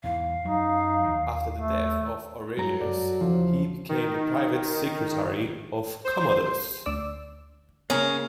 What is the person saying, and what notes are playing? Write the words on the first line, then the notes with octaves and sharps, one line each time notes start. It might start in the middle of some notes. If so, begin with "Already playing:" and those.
After the death of Aurelius he became the private secretary of Commodus.
E2 G#2 E3 F5
F#2 F#3 D#4
D#2 D#3
A3
G2 F#3 G#3 A#5
F#2 A4 D5
E2 C#3 F3 C5
D#3
C5
D2 D5 E6
C#3 A#3 C#4 A#4